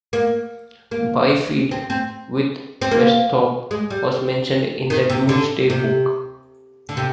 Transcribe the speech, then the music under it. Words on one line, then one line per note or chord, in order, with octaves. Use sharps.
Byfield, with Westhorp, was mentioned in the "Domesday Book".
A#3
A#3
C4
C4
C4
A#3
G#3
G3
D#3
C3
D3
C3
D3
C3